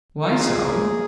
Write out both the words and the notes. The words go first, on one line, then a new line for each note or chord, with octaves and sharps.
"Why so?"
D#4
F4
A#2 G#4
A#3